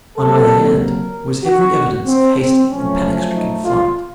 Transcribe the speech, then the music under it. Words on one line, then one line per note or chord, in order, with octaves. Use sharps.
On either hand was every evidence of hasty and panic-stricken flight.
C3 F#3 A#3 A4
A#4
F#4
C4
C4
F#2 F3 A3 C#4
D#4
F4